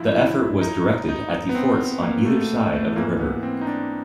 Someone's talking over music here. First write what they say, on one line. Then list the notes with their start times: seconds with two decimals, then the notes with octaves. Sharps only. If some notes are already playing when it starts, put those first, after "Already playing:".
The effort was directed at the forts on either side of the river.
Already playing: F2 C#3 F3 E4 F4
0.14 E4
0.61 D#4
1.09 D#4
1.49 B3
1.55 C4
2.02 A#3
2.25 A3
2.72 A3
2.96 G#2 E3 A#3
3.19 B3
3.43 C4
3.61 D#4
3.66 D4